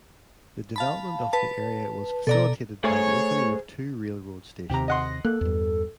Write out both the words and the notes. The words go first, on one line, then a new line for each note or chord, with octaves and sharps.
The development of area was facilitated by the opening of two railroad stations.
F5 A5 B5
B4 A5
B2 A4 D5 A#5
A3 G#4 C5 C#5 G#5
D#2 C3 G4 A#5
D#5 F#5 C6
A#6
A#3 A4 F#6
E2 G2